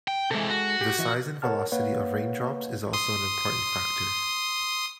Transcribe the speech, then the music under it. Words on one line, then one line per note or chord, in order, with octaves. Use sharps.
The size and velocity of rain drops is also an important factor.
G5
C3 E3 G#3 A4
F#4
G4
E3 D#5
A#4 C#5 F#5 A5 F6
A#3 B4 C#5 F5 F#5
C6 D#6